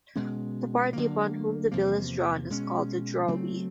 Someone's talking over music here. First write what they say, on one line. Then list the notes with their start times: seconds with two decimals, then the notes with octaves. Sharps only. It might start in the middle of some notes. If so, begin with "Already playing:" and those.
The party upon whom the bill is drawn is called the drawee.
0.16 B2 G#3 C#4
0.93 D3 F#3 A#3
1.72 E2 C3 F3 A#3
2.50 B2 G#3 C#4
3.28 C#3 F#3 A3 C4